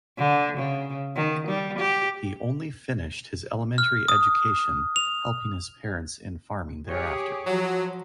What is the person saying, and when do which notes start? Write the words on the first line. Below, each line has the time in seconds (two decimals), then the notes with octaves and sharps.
He only finished his elementary education helping his parents in farming thereafter.
0.17 D3
0.57 C#3
1.16 D#3
1.48 G3
1.78 G4
3.78 F6
4.08 D#6
4.96 F7
6.90 G4 G#4 C#5
7.47 F3 F#3